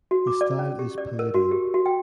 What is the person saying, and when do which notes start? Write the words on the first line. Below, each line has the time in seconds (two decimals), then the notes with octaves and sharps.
The style is Palladian.
0.11 F#4
0.27 D6
0.41 D5
0.59 C#4
0.79 G4
0.98 D5
1.19 A#4
1.34 F#4
1.51 G4
1.74 F#4
1.86 G5